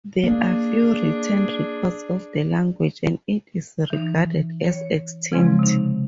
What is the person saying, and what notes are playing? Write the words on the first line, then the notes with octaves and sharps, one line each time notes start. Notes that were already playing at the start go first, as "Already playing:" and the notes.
There are few written records of the language, and it is regarded as extinct.
A#3 D4 G#4
E3 D#4
C#5
C#3 F3 G#3 C4
C3 D#4